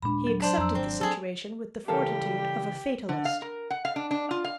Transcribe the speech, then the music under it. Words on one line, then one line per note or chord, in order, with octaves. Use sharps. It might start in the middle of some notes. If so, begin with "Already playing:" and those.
He accepted the situation with the fortitude of a fatalist.
D#1 A#2 G#3 D4 B5
F#3
D4 C5
F2 A#5 E6
G#1 C4
F#3 C4 G#4 A4
C#3 E3 G3 G4 A4 A#4 F5
D3
F5
A#4
F#5
F5
D4
D4
F4
F5